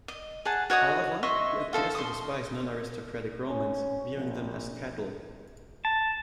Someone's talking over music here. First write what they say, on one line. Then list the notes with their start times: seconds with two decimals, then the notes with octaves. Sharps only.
However, he appears to despise non-aristocratic Romans, viewing them as cattle.
0.08 D#5
0.45 G#4 F#5 A5
0.70 F#4 C#5 D#5 D#6
1.23 D#5 E5 C6 C#6
1.73 F4 A4 C5 D#5
1.95 C6 D#6
3.47 C#4
4.12 A#1
5.85 A5